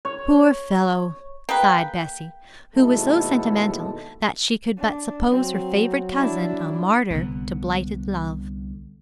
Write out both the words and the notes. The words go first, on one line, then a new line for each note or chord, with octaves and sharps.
'Poor fellow!' sighed Bessie, who was so sentimental that she could but suppose her favourite cousin a martyr to blighted love.
C#5
A#3 G#4 B4 G5
D#2 B2 G#3 E4 A4
D4
F#3 C4
D4 E4
C2 D3 B3